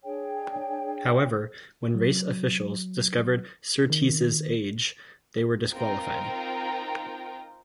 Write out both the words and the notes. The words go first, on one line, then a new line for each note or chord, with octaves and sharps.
However, when race officials discovered Surtees's age, they were disqualified.
D4 G#4 C#5 G5
F#3
D#3
C4 D#4 F4 A#4 G5 A#5